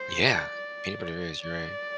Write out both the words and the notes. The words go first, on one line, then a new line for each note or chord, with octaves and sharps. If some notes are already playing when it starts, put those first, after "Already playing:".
Yeah, peanut butter is, right.
Already playing: C5
D5
D5
D5